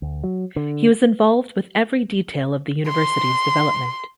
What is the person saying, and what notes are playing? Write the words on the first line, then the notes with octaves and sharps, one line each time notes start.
He was involved with every detail of the university's development.
D2
F#3
D3
C6